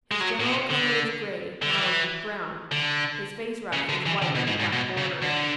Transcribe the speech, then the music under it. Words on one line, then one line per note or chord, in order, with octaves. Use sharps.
His general color is gray, mottled with brown. His face ruff is white with black border.
G#3
F#3
A2
B2
D3
D3
E3
D3
C#3
D3
E3
D3
B2
G#2
G#2
B2
C#3
D3